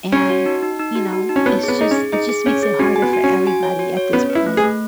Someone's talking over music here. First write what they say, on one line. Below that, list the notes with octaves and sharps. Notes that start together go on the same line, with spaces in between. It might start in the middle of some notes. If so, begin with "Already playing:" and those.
and, you know, it's just it just makes it harder for everybody at this point.
C#4 C#5
F#4
D#4
D#4
D#4
F#4
F#4
D#4
C#4
B3 C#5
B3 G#4
D#4 G#4
C#4
G#4
D#4 G#4
G#4
C#4 C#5
G#4
C#4 F#4
G#5
B3
F#4
C#4
F#4
G#5
C#5
F#4
C#5
B3 C#4
B4
E4
A3
G#4
A3